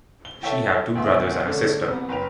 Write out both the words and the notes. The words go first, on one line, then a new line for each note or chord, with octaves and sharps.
She had two brothers and a sister.
G7
A4 C#5 E5 G5
D2 B2 E5 C6
D3 A3 C#4 D4
C2 C3 B3
F#1 B4 G5 F7